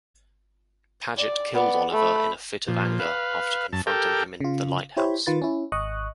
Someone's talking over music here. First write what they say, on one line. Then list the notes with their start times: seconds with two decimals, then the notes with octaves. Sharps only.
Padgett killed Oliver in a fit of anger after confronting him in the lighthouse.
1.17 D5
1.54 B3 D5
1.91 A3 B5
2.68 A#2 F3
2.99 B4 F5
3.73 F#2 A5
3.87 G4 A4 A#4 G5
4.40 C#3 F4
4.97 E4 G4 C5 C#5 B5
5.26 D#3 F4 B4 A6
5.42 C#4 E4
5.72 G#1 D#5 C#6 D#6 F#6